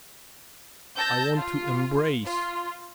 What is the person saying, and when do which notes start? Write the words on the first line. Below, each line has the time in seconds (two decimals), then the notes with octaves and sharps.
I want to embrace.
0.97 A5 E6 G6 A#6
1.36 F4
2.25 F4